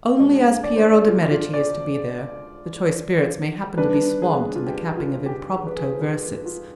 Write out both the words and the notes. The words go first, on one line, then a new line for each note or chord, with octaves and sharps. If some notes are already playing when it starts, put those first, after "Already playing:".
Only, as Piero de' Medici is to be there, the choice spirits may happen to be swamped in the capping of impromptu verses.
B2 G#3 D4 D#5
D5
C5
D5
F4
F4
D5
D#3 G3 B3 D4 B4
G#4
F4
G4
F4
G4
G#4
B4
G#4
B4
F4